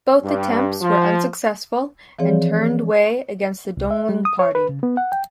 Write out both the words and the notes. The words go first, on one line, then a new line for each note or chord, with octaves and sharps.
Both attempts were unsuccessful, and turned Wei against the Donglin party.
G2
F3
E3 F3 C4 G#4 C#5 D5
C2
E5
G3
D#6
C#5
B4
C#3
B3
F#5
G5